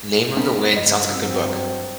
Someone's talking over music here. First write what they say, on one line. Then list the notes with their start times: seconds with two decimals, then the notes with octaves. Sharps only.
Name of the Wind, sounds like good book.
0.37 A3 B3 C4 D4 A#4
0.72 G2 C#5 D#5
1.14 F#3 C4 E6